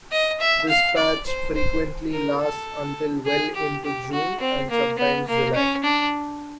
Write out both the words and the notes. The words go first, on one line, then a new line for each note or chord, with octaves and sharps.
This patch frequently lasts until well into June and sometimes July.
D#5
E5
F5
D5
C5
C5
A#4
A4
G#4
G4
G4
F#4
C4
A#3
B3
A#3
C#4
D4